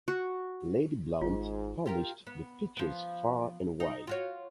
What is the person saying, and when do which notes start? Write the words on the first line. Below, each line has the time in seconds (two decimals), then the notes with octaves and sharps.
Lady Blount published the pictures far and wide.
0.08 F#4
1.21 G#1 G#2 F4
1.86 F4 G4 A#4
2.27 B3
2.77 F3 B3
3.80 D#4
4.07 F4 F#4 C#5